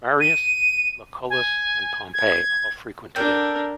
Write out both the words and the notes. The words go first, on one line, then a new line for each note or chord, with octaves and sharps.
Marius, Lucullus, and Pompey all frequented it.
D#7
G#5
G#6
D4 A4 A#4 G5